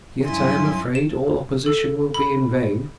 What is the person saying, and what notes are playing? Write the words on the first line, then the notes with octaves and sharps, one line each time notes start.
Yet I am afraid all opposition will be in vain.
G2 F#3 C#4 E4 G#5 C6
E7
A4
B5